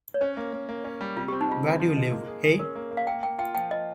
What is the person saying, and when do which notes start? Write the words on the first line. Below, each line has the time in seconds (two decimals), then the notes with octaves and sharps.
Where d'you live, hey?
0.14 C#5
0.21 C#4 C5
0.37 A#3
0.53 A#3
0.69 A#3
0.84 C#4
1.01 G3
1.16 C3 F4
1.28 C4 G4
1.41 D#4
1.48 G#3 F4
1.64 C4
1.80 F3
1.96 G#3
2.11 A#3
2.28 G#4
2.43 G#4
2.59 C#4 A#4
2.75 A#3
2.91 A#3
2.97 F5
3.07 A#3 G5
3.23 A#3 G5
3.38 F4 G5
3.55 F3 G5
3.71 F3 D#5